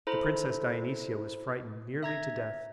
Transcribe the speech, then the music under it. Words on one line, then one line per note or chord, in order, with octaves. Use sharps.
The princess Dionysia was frightened nearly to death.
E4 A4 C5 A#5 B5
E5 A#5 G#6 A#6